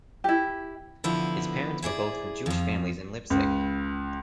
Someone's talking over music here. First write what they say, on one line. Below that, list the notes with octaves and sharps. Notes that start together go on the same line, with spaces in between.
His parents were both from Jewish families in Leipzig.
E4 G4
D3 F3 B3 E4
E4 G#4 C#5 D5
F2 F3
C#2